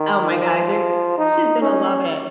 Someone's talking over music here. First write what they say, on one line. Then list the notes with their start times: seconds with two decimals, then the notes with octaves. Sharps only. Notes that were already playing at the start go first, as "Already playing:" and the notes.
oh my god they she's gonna love it.
Already playing: D#3
0.30 F3
1.18 D#4
1.61 C#4